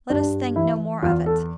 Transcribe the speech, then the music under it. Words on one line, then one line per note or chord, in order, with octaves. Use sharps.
Let us think no more of it.
G2 D4
E3 E4
E2 F4
A4